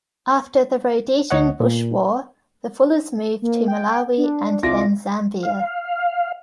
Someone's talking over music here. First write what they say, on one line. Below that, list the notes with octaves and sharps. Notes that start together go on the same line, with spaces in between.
After the Rhodesian Bush War, the Fullers move to Malawi and then Zambia.
D2 C#5 D#5 F#5
A#2
A#3
G5
D4
C2 F4 D6 A#6
F5